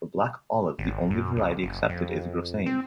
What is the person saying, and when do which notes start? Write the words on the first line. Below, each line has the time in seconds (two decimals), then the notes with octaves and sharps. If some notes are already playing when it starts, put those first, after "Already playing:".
For black olives the only variety accepted is Grossane.
0.79 G#1
1.10 F#2
1.36 C#2
1.63 F#1
1.89 F2
2.66 C4